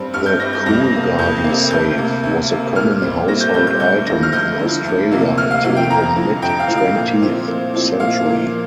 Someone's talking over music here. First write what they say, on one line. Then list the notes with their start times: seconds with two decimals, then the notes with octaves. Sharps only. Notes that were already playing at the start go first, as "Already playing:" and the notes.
The Coolgardie safe was a common household item in Australia until the mid-twentieth century.
Already playing: G2 G3 C4
0.13 G2 F6
0.26 G6
0.40 G3 C4 A#6
0.53 G6
0.66 F2 A#6
0.92 C3 A#3
1.18 F2 G6
1.44 C3 A#3
1.70 D2 G6
1.98 C3 A#3
2.23 D2
2.50 C3 A#3
2.75 A#2 F6
3.02 G3 C4
3.28 A#2 A#6
3.40 G6
3.54 G3 C4 G6
3.67 G6
3.80 D2 G6
4.07 D3 F3 A#6
4.23 F6
4.32 D2 G6
4.59 D3 F3
4.85 D2
5.11 C3 F3 A#3
5.37 D2 F6
5.51 F5
5.64 C3 F3 A#3 F5
5.76 G5
5.90 F2 A#5
6.16 D3 F3
6.42 F2 G5
6.60 F5
6.68 D3 F3
6.77 F5
6.95 A#2
7.21 F3 C4
7.48 A#2
7.74 F3 C4
8.00 A#2 F5
8.25 F3 A#3